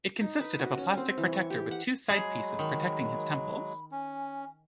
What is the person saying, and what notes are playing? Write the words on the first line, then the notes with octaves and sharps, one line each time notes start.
It consisted of a plastic protector with two side pieces protecting his temples.
D#4
B4
F#4
C#4
C4
E3
C#6
G4
F#5
F#3 G#3 G#4 B5
D#3
C#4 G#5